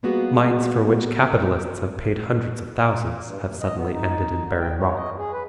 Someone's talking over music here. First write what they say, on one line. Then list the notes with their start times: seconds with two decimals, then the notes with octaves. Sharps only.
Mines for which capitalists have paid hundreds of thousands have suddenly ended in barren rock.
0.03 G3 A#3 B3 F4 F#4 G#4
3.24 G2
3.45 D#2
3.61 D#5
3.76 B3
3.93 D#4
4.44 D3
4.60 G5
4.80 C#5
4.97 D#5
5.18 G#4
5.32 B4